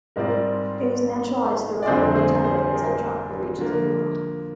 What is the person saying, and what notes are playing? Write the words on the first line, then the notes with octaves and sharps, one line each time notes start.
It is naturalized throughout warm temperate and subtropical regions of the world.
G#2 G3 C4 F4 A#4 D5
D5
F2 D3 G3 C4 G#4 C5
G#4 C5
G#4 C5
G#4
G4 A#4
D3 F3 A#3